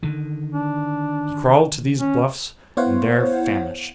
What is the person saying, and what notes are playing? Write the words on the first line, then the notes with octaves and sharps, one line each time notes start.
He crawled to these Bluffs and there famished.
D3 D#3
D4
C#4
B3 E4 C5 C#5 F5 F#5